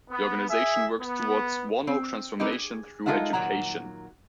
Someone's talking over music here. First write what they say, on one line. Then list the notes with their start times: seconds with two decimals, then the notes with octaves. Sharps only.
The organisation works towards 'whanau transformation through education'.
0.11 B3
0.50 G#4 E5
1.00 B3
1.87 C4
2.40 C4 D#4 E4 G4 A#4 B4
2.52 G#4
3.06 G#3 D#4 F4 A4 E5 F#5
3.33 A#2 D#3 E3 F#3 F#5 A#5